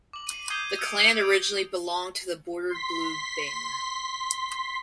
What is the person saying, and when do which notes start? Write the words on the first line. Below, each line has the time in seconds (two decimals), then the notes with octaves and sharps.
The clan originally belonged to the Bordered Blue Banner.
0.13 D6 F#7
0.27 D#7
0.50 D#6 G6 G#6 C7 D#7 G7
0.79 E6 G6 C#7 D7 F7
1.22 D7
2.69 C6 B6